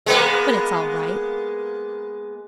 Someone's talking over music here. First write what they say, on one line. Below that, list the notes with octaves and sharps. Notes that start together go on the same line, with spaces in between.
But it's all right.
G#3 A#3 B3